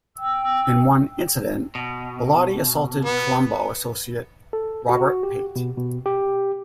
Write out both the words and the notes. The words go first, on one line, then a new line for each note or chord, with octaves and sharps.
In one incident, Bilotti assaulted Colombo associate Robert Pate.
G5 E6
B2
B3
A4
F#4
G4
B2
B2
G4